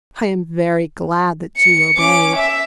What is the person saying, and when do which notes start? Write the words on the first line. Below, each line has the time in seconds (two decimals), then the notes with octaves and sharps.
I am very glad that you obeyed.
1.57 C#7
1.97 C#4 D6
2.36 E5